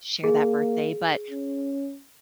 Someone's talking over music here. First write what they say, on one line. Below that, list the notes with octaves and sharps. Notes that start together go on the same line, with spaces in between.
share that birthday, but
A#3 G#4
C#4